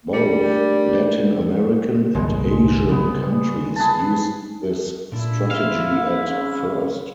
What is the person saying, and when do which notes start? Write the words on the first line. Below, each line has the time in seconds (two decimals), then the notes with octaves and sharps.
Both Latin American and Asian countries used this strategy at first.
0.13 G3 A3 D4 A#4 D5
2.15 G1 C2 A2 G#3
2.89 C#3 G3 B3
3.76 G#4 B4 A5
5.12 A#2 D3 D4 E4
5.51 D#2 G3 C4 E5 F5
6.27 C#3